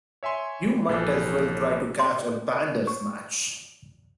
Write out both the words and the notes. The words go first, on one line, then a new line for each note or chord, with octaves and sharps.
You might as well try to catch a Bandersnatch!
C#5 E5 G#5 C6
A#1 E3 A4
C6
C#6